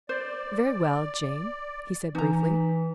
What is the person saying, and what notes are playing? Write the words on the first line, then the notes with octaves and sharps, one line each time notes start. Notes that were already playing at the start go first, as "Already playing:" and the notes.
"Very well, Jane," he said, briefly.
C5 D5
E3 D#4 A#5